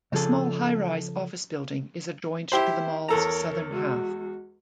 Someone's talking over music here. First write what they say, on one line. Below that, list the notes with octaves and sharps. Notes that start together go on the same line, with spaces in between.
A small highrise office-building is adjoined to the mall's southern half.
C#3 F3 G#4 A4
E4 G4 C5
E2 A4 A#4 C#5 A#5
G#3 F#4